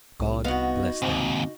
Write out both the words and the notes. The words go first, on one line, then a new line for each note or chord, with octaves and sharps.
God bless them!
C2
B3 D#4 F#4 F5
D#2 G#2 C#3 C4